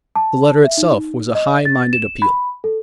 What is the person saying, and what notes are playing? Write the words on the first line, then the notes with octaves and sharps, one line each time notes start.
The letter itself was a high minded appeal . . . .
A5
E5
D#4
D#5
A6
E7
B5
A4